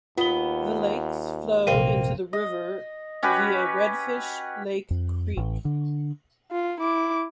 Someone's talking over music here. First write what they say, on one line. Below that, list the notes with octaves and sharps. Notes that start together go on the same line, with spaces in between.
The lakes flow into the river via Redfish Lake Creek.
D#2 B3 F4 G7
A#1 F#2 C3 A#3 C4 D#7
D#5
C#4 F#4 G4 B4
F2
A1
D3
F4
E4 D6